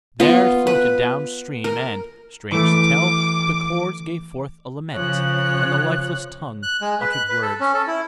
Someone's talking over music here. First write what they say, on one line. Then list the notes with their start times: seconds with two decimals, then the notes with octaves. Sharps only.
There it floated down stream and, strange to tell, the chords gave forth a lament, and the lifeless tongue uttered words.
0.20 B3 F4
0.67 B4
1.64 A#4
2.52 E3 A3 D6
4.95 C#3 F3 C#5 F#6
6.63 F#6
6.81 G#3
7.01 B4
7.12 F#6
7.29 B4
7.42 A4
7.60 C#4
7.74 A4
7.87 E4